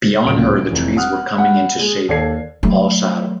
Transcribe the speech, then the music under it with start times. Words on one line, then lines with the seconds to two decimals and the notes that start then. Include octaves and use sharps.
Beyond her the trees were coming into shape, all shadow.
0.24 D1 C#2 A#2 D7
0.68 F1 E3
0.97 F#5 D#6 F6 F#6
1.34 F#5 B5
1.79 G#3 G#4
2.09 D#2 A4 D5 G#6 C7
2.63 F#3 A3